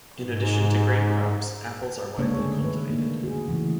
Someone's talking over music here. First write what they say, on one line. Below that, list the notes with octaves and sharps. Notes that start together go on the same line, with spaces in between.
In addition to grain crops, apples are widely cultivated.
G#2
C#3 G#3 A#3 D4 A4 C#5
D3 A3 G#4 C#5
D#3 B4
A#3 D4
F#4 G#4
C#3 E3 A3